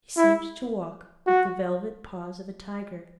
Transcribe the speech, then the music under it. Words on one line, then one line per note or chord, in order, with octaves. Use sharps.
He seemed to walk with the velvet paws of a tiger.
E4
F#4